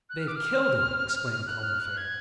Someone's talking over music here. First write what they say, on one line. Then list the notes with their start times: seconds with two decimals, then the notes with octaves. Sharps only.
"They have killed him," exclaimed Combeferre.
0.10 F#6
0.19 F6
0.28 D6
0.36 F6
1.46 F#6
1.64 F6
1.80 F#6
1.97 G#6